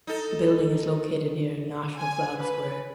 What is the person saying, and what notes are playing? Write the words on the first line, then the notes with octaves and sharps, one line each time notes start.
The building is located near National Flag Square.
D#4 A4
G#5
B4